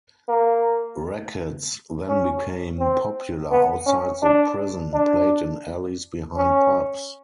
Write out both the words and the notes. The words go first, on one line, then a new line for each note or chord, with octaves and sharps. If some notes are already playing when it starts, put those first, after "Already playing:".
Rackets then became popular outside the prison, played in alleys behind pubs.
A#3
C#4
C4
B3
C#4
D4
D4
C#4